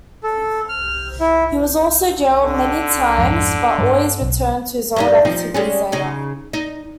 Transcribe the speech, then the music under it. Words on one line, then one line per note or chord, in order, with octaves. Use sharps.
He was also jailed many times but always returned to his old activities later.
A4
F6
E4
D3
F2 G#2
G2 G3
B1
G2 G3 D#4
F3 C4 D#4
G3 G#3 C#4
C#3 D#4
D#4